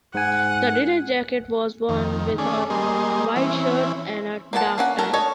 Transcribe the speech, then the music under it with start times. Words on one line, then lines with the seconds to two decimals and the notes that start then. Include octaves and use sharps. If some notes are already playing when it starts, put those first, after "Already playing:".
The dinner jacket was worn with a white shirt and a dark tie.
0.14 G#2 F#5 G#5
1.89 F2 D#3
2.38 A3 C#4 G#4 D5
2.70 G3 A#3 G#4 D#5 C6
3.36 E3 C4 C#4 E4
4.53 A#3 B3 F4 F#5 A5
4.78 A#3 C#4 F#5
4.98 E4 A4 A#4 A#5
5.13 A4 C#5 D#5